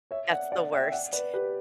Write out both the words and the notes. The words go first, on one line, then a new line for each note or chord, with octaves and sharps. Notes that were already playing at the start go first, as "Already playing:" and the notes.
That's the worst.
C#5 E5
D5 F#5
D5 F#5
E5 G5
D5 F#5
B4 D5
G4 B4